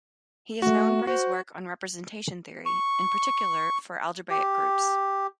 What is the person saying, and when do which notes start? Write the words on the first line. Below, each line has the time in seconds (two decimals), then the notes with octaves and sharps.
He is known for his work on representation theory, in particular for algebraic groups.
0.62 A3 F#4
1.07 F#4 C5
2.66 C#6
4.30 G4